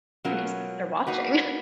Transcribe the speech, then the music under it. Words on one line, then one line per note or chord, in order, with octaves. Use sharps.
Because they're watching.
B2 F#3 C#4 F4 A#4
A#3 D#4 F#4 B4